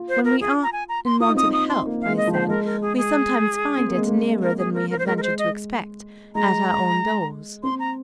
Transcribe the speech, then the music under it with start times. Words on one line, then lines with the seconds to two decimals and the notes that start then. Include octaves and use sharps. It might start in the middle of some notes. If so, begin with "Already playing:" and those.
"When we are in want of help," I said, "we sometimes find it, nearer than we had ventured to expect--at our own doors."
Already playing: F4
0.08 C5
0.25 A#4
0.41 G#4
0.63 A#5
0.73 G#5
0.89 A#5
1.05 C6
1.20 F4 D#6
1.29 D#4
1.35 C4 D#6
1.42 D#4
1.53 D#6
1.69 C6
1.86 A#3
2.01 F5
2.06 G#3
2.17 D#5
2.27 F3
2.33 C5
2.49 G#3 A#4
2.65 A#4
2.82 G#4
2.97 G#4
3.78 C4
3.88 A#3
3.97 G#3
4.06 A#3
4.42 A#4
4.58 G#4
4.74 A#4
4.90 A#4
4.99 C5
5.06 G#3 A#4
5.17 A#4
5.23 C5
5.38 D#5
6.35 G#3 A#5
7.63 C4 C6
7.79 A#5